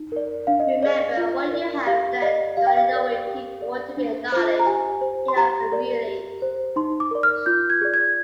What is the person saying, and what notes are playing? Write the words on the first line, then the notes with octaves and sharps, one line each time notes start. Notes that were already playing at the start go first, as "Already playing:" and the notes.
Remember what you have learned regarding the way people want to be acknowledge in your community.
Already playing: D#4
A#4 D5
D4 F5
D#5
G#4 D5 D#5
F4
A#4 D5
G4 F5
D5 D#5
G4 F5
G5
F5
A#4 D5
G4
D5
D4
F4 C5
A#5
G4 G#5
C5
C6
G4 A#5
A#4 D5
G4
C5
D#4 C6
D6
A#4 D5
F6
F4 G6
G#6
G#4 D5
G#6